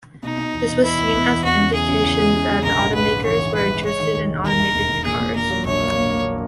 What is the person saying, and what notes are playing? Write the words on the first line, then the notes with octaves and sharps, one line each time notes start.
This was seen as an indication that the automakers were interested in automated cars.
B2 D#4
B2
E2
B2
E2 E4
E2
B3
E2
E2 F#4
C#3
E2 G#4
C#3
E2
G#3
C#3
C#3
A#1 A#4
G#2
G#3 B4
G#3
E3 C#5
E3
G#2 B4
G#3
G#3 C#5
D#3
D#2
E1
D#2 A#4
D#3
E1
E1
A#2 G#4
A#2
A#2 A#4
F#3
A#1 C#5
A#3
A#3
A#3